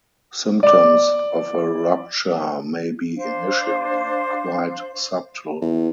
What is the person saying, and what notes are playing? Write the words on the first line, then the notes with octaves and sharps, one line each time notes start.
Symptoms of a rupture may be initially quite subtle.
D5 D6
D4 C5 F5
E2